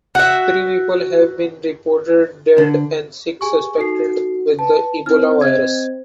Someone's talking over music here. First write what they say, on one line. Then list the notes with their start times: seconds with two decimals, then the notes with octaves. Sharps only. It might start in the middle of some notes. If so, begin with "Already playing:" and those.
Three people have been reported dead and six suspected with the Ebola virus.
0.15 F#4 E5
2.58 D3
3.41 G4 G#4 G#5 C#6
3.78 D#4 F#4 A4 C7
4.59 B4 A5
5.06 C4 D#4 E4 F6
5.41 D#5 G#6